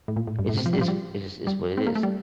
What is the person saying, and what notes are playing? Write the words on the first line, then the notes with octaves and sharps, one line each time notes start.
it's just it's it just what it is.
A2
A#2
A2
G2
A2
C3
F3
G3
F3
G3
G3
C4
A#3
A3
G3